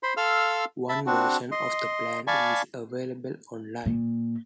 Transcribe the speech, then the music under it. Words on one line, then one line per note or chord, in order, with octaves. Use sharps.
One version of the plan is available online.
C5 B5 C6
A4 F5 C6 E6 F6
E5 A5 B5
C4 D4 F#4
D#5 C6
D5 F5 G#5 A5 B5 C#6
A#2